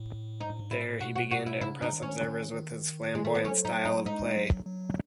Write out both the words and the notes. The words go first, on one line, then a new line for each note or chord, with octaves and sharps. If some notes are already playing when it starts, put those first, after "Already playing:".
There, he began to impress observers with his flamboyant style of play.
Already playing: A2
G#2 D#4
A2
G#2
A2 E4
B2 F#4
F#4
F#4
E4
C#3 E4
D#4
D#3
C#4
D#3
D#3
G#3
A3
B3
F#3 C#4
D#4
D#4
G#3 D#4
F#3
F#3